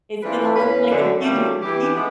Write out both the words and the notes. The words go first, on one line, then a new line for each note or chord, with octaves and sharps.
It's gonna look like a few different peop
E3 C4 D4 F4 B4
E2 C#4 B4
F#2 D3
D3 E3 F#3 G3 A3 A#3
E3 G4
G#3 A3 B3